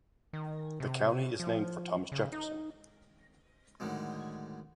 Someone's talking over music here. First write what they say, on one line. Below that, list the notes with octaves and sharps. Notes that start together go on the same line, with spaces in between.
The county is named for Thomas Jefferson.
D#3
C3
F3
C#3
D#4
A2 D3 D#3 F#3 G#3